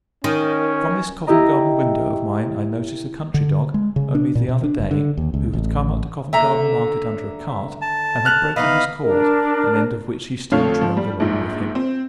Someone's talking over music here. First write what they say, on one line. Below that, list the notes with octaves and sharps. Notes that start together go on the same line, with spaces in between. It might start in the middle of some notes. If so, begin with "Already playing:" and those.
From this Covent-garden window of mine I noticed a country dog, only the other day, who had come up to Covent-garden Market under a cart, and had broken his cord, an end of which he still trailed along with him.
D#3 C#4
E4 G4 D#5 A#5
D3
G#3
C#3
D4
A#2
B2
D4
F#1
D3
D#2
C#2
A1
D#2 D3 E5 A#5
A5
F6 F#6 F7
E3 B3 D#4 D#5 F5 B5
D4 A#4
F2 D3 A3 C#5 F5 F6
F3
G3
A#1 G#2
C4